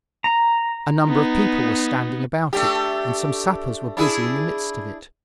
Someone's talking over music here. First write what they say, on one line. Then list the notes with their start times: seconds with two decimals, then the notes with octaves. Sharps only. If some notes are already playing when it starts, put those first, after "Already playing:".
A number of people were standing about it, and some sappers were busy in the midst of it.
0.24 A#5
1.07 B3 D#4
2.53 A3 D4 G4
3.97 D4 E4 G#4